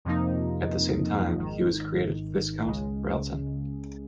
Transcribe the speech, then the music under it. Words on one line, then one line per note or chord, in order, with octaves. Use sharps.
At the same time, he was created Viscount Rialton.
F2 C3 F3 A#3 D#4
G#1 G#2 D#3
C#2 C#3 G#3